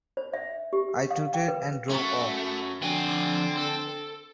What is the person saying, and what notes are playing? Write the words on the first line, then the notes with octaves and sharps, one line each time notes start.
I tooted and drove off.
C5
E5
G4
F5
G5
B4
A3 C#4 F#4
D3 F3 C4 F#5 G#5
A4